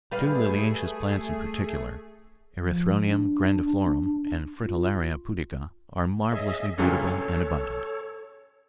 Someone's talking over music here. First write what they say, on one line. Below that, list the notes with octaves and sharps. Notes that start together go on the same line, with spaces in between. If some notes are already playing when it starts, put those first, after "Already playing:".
Two liliaceous plants in particular, Erythronium grandiflorum and Fritillaria pudica, are marvelously beautiful and abundant.
G3 A3 G#4 B4 F5
F3
D4
F4
G#4 C#5 D#5 E5
C#2 G2 A#2 C#4 G#4 A4 C#5 D5